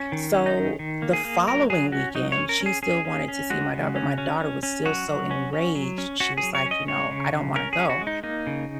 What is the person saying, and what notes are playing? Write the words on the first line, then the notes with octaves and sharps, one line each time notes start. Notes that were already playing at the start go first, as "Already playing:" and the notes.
So, the following weekend, she still wanted to see my daugh but my daughter was still so enraged. She was like, you know, "I don't wanna go."
Already playing: C#4
D#3
C#4
D#4
D#3
D#3
A#3
G#4
A#3
F#3 A#4
F#3 G#4
C#4 F#4
F#3 D#4
C#5
C#4
A#4
C#4
G#4
C#4 G#4
C#4
C#4
G#3 F#4
C#3
C#4
C#4
C#4
C#4
F#3 F#4
F#3
C#4
C#4
F#3
C#4
C#4 F#4
G#4
F#3
C#5
C#4
D#5
G#3 C#5
C#3
C#3
C#4 A#4
G#4
C#4
F#4
G#3
D#4
A#3 D#4
C#3